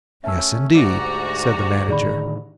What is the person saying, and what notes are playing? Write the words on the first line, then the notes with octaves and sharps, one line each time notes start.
"Yes, indeed," said the manager.
A3 C#4 E5 A5 E6
D2 G#2 F#4 G4 D5 A#5
A2 D3 D#3 G#4 D5 B5